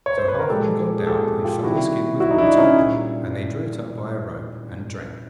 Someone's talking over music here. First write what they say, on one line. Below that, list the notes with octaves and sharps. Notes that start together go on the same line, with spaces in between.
So Halfman got down and filled a skin with water, and they drew it up by a rope and drank.
C#5
C5
B4
A#4
A#2 F3 G#3 G4 A4
G#4
G4 A4
F4 G4
C3 D#3 G3 E4 F#4
E4 F#4
D#4
D4 E4
C#4 D#4
A#2 G3